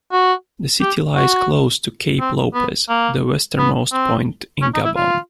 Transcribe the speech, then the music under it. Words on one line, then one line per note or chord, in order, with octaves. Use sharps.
The city lies close to Cape Lopez, the westernmost point in Gabon.
F#4
G4
F#4
C4
B3
A#3
B3
C4
C#4
D#4
E4
F4